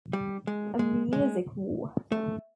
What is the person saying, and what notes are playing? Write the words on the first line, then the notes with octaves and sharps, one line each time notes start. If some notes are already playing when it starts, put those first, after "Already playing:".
A Music War.
G3
G#3
G#3
G#3
A3